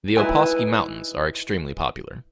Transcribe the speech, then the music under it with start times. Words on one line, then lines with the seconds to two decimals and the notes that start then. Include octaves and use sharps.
The Opawskie Mountains are extremely popular.
0.17 D#4 E4 B4 G#5